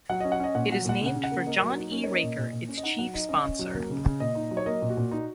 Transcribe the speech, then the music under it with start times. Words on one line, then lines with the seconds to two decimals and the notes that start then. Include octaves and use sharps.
It is named for John E. Raker, its chief sponsor.
0.09 F#3 F#5
0.20 C#4 D#5
0.32 F#5
0.40 C#4 D#5
0.55 A#2 F#5
0.70 F#3 F#5
0.85 A#2 F#5
1.01 C#3
1.06 F#5
1.16 C#3
1.24 F#5
1.32 A#3
1.46 A#3 D#5
1.57 F#3 A#4
1.69 F#4
1.77 D#4
1.92 C#4 A#4
2.04 A#3 C#5
2.14 D#5
2.23 A#2
2.38 A#2
2.53 A#2
2.68 C#4
2.77 D#5
2.84 D#4 F#5
2.99 F#3 F#5
3.14 D#4 D#5
3.29 C#4 D#5
3.45 C#4
3.59 F#3
3.75 A#3
3.90 C#3
4.05 C#3
4.20 A#2 D#5
4.35 D#4
4.51 F#3
4.57 C#5
4.66 A#3 D#5
4.82 A#2
4.89 F#4
4.97 A#2
5.11 D#4